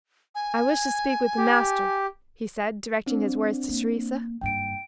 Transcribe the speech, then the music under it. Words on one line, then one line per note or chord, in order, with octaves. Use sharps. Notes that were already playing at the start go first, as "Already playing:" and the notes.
"I wish to speak with the Master," he said--directing his words to Teresa.
G#5
G4
C4 D4
A#3
F#1 G2 G5 D7